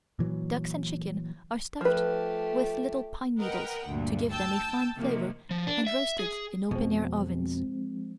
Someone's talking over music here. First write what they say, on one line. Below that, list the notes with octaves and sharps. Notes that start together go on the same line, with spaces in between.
Ducks and chickens are stuffed with little pine needles to give them a fine flavor and roasted in open air ovens.
A#2 E3 F#3
F3 A3 G4 B4
A#4 B4 D#5 F#5 G5
D2 G2 A#2
G5 A5 E6 G6
C3 D#3 F3 A#3
F3
D4
E5
G#4
F2 B2 F3 G#3 C4